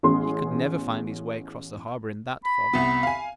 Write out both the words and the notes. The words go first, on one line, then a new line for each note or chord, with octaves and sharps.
"He could never find his way cross the harbour in that fog."
A1 B3 C#4 G#4 C6
B5
C2 B3
F5 G#5